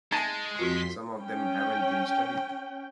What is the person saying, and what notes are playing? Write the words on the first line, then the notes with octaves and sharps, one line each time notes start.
Some of them haven't been studied.
G#3 D#4 E5 G#5 A5
F2 F4 F#4 A#4 C6 B6
C#4 G5